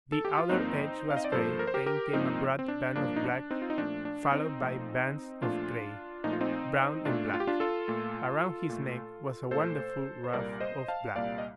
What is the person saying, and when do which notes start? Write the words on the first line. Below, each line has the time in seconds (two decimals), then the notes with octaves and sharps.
The outer edge was gray, then came a broad band of black, followed by bands of gray, brown and black. Around his neck was a wonderful ruff of black.
0.12 A4
0.25 G4
0.38 F4
0.49 G2 F3 A#3 C4 D#4
1.10 F5
1.17 D#5
1.25 D5
1.32 G2 F3 A#3 A4 C5
1.59 A#4
1.67 C5
1.74 G4 A#4
1.86 G4 A#4
2.13 G2 F3 A#3 C4 D#4
2.59 C4
2.68 D4
2.96 G2 F3 A#3 D4
3.16 D#4
3.24 D4
3.51 C4 D#4
3.62 F4
3.70 D#4
3.78 A#2 F3 A3 D4
4.05 D4
4.32 C4 D#4
4.60 A#2 F3 A3
5.42 A#2 F3 A3 D4 F4
6.24 A#2 F3 A3 D#4
6.33 F4
6.41 C4 D#4
7.05 A#2 A3 D4 F4
7.34 F4
7.40 G4
7.47 D4 F4
7.60 F4 A4
7.88 A#2 A3
8.69 A#2 A3
9.51 A#2 A3 A4 C5
10.24 C5
10.33 C2 A#2 G3 A#3 A#4 D5
10.60 C5 D#5
10.88 F5 A5
11.15 C2 A#2 G3 A#3 D5 F5
11.38 D#5